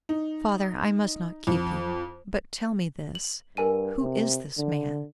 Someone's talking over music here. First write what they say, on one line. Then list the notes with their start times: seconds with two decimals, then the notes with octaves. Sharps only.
"Father, I must not keep you; but tell me this--Who is this man?"
0.09 D#4
1.47 F2
3.15 F#7
3.57 G2 A#4 G#5 D#7
3.99 C3
4.57 D3